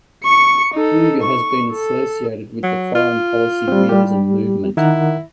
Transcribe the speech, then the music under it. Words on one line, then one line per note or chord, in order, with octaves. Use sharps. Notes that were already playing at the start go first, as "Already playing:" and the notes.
Ruger has been associated with the foreign policy realism movement.
C#6 C#7
D#4 A4
C#6
A4
F#3
F4
G3 C4
G3 G4
D#3 E4 A#4 F#5